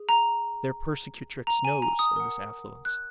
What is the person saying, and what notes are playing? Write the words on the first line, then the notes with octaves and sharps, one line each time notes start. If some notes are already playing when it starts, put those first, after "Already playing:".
Their persecutrix knows of this affluence.
Already playing: G#4
A#5
A#5
G#5
A#5
D#6
A#4 F#5
F#6